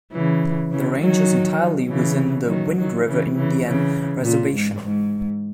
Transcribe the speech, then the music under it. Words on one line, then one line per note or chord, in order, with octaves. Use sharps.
The range is entirely within the Wind River Indian Reservation.
C#3 E3
C#3 E3
D#3 F#3
C#3 E3
D#3 F#3
D#3 F#3
C#3 E3
C#3 E3
C#3 E3
A#2
G#2
G#2